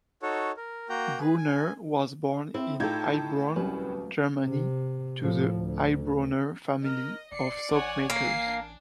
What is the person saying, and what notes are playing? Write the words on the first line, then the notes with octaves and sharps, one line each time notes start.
Bronner was born in Heilbronn, Germany, to the Heilbronner family of soap makers.
D#4 F#4 A4 C#5
A#4
A#3 F#4 G5 A#5
G#4 B4
G#5
C4 E4
A2 D#4 F4 G4 A4 G6 G#6
D1 C2 C#4 B4
C3
A2 F3
D2
A#4 D#5
E1 D5 C7 C#7
A1 C#5 F#5 G#5
A#3 A#4 G#5 C7
D4